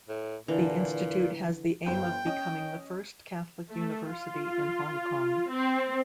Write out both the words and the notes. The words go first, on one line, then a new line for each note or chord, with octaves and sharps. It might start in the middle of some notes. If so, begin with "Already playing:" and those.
The institute has the aim of becoming the first Catholic University in Hong Kong.
A2
A#2 D3 E3 A#5
G1 C5 G5 G6
C#4 D#5
A3
F4
C4